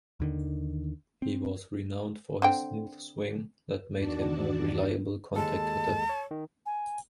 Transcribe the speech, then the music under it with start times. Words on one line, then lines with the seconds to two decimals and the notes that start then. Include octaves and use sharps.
He was renowned for his smooth swing that made him a reliable "contact" hitter.
0.20 D#2 D3 D#3
1.22 C4
2.42 D3 C4 G5
3.95 E2 D#3 D4 F#4 D5 A5
5.36 D#2 G#3 A4 A5
6.09 C#5
6.31 D#3
6.66 G#5